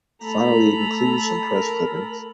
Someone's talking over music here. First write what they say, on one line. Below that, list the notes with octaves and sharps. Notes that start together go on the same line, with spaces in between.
Finally, it includes some press clippings.
A3 A4 A#5 B5
A#4